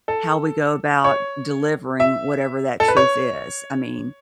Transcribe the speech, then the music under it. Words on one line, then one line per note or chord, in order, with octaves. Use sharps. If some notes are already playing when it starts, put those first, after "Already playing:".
how we go about delivering whatever that truth is. I mean,
A4
C#5
E5
A4
B4
C#5